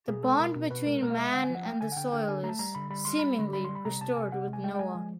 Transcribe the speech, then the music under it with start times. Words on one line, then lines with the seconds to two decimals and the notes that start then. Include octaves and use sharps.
The bond between man and the soil is, seemingly, restored with Noah.
0.08 B2 G#4
0.23 G#3 A4
0.39 B2 A#4
0.56 B2
0.71 B2 B4
0.86 G#3 A#4
1.03 B2 A#4
1.10 F5
1.17 G#3 E5
1.34 D3 F#5
1.44 G#5
1.50 F3 F#5
1.65 A3 G5
1.81 D3 G#5
1.92 F#5
1.97 D3 G5
2.12 D3 G5
2.28 D3 G#5
2.43 A3 A#5
2.49 A5
2.59 G3 A#5
2.75 D3 B5
2.90 G3 B5
3.05 G3 C6
3.19 G3 B5
3.39 D3
3.53 G3 B5
3.65 G3 C6
3.75 B5
3.85 C3 A#5
4.01 C3 A5
4.16 C3 G#5
4.32 C3 F#5
4.48 G#3
4.53 G#5
4.63 G#3 G5
4.75 G5
4.79 G#3 G#5
4.95 F3